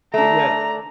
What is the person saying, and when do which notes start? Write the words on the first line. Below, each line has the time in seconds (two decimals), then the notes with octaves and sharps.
But yeah
0.14 A3 D4 A#5